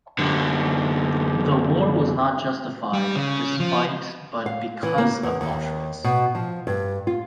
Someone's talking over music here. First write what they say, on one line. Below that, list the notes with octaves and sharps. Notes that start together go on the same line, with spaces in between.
The war was not justified "despite but because of Auschwitz".
F#2 D3
G3
C#3
F3
F5
E3
A#3
E2
D#2
B2
F3
G2
F4